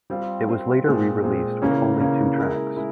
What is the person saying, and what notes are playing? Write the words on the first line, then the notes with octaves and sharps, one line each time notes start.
It was later re-released with only two tracks.
G3 C4 F4
G3 C4 F4
A#2 G#3 C4
A#2 G#3 C4
C#3 E3 A#3 C#4
C#3 E3 A#3 C#4
G#3 E4 A#4
G#3 E4